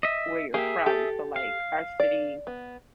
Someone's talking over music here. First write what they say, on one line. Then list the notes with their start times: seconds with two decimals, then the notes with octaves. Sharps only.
where you're from, so, like, our city,
0.03 D#5 E5
0.54 A#3 G4 G#4 E5 F5
0.86 G4 A4
1.36 F5
2.00 D5
2.47 B3